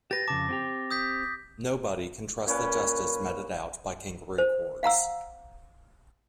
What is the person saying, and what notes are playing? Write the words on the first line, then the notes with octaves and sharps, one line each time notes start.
Nobody can trust the justice meted out by kangaroo courts.
G4 B4 A6 A#6
F2 C#3 A5 D6
C4 F#4 G4
D#6 G6 B6
A#2 C#4 B4 D6
C5
F5 F#5 A#5 E6